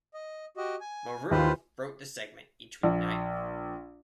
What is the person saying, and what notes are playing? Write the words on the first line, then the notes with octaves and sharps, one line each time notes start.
Marrou wrote the segment each weeknight.
D#5
F#4 G4 D#5
G#5
D#2 F4 B4 C5
A#1